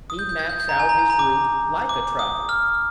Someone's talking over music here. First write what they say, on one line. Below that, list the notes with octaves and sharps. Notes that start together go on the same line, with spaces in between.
He maps out his route like a traveller.
D#6
G6
G6
G#6
G6
G6
A#5
G#5
A#5
G#5
A#5
D6
D6
D#6
F6